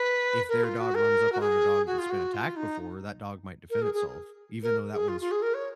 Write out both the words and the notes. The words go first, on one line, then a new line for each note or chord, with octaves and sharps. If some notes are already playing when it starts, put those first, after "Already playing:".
if their dog runs up on a dog that's been attacked before, that dog might defend itself, even though that one's
Already playing: B4
A#4
F4
F#4
A#4
F#4
G#4
F#4
F4
F#4
F4
D#4
A#4
G#4
G#4
A#4
G#4
F4
F4
G#4
A#4
C#5